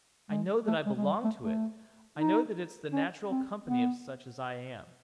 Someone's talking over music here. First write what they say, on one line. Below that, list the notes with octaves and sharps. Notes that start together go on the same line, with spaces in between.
'I know that I belong to it. I know that it's the natural company of such as I am!
G#3
A3
G#3
G#3
G3
A3
A3
D#4
C#4
C4
B3